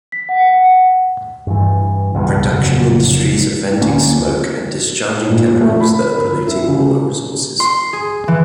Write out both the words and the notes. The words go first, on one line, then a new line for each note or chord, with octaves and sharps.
Production industries are venting smoke and discharging chemicals that are polluting water resources.
B6
F#5
F#5
G2 E3
C#2 G2 B2
F1 C#3 F#3
D2 A#3 C#4
A#2
A3
B5
A#4
E4
C#3
C6
G#4
E3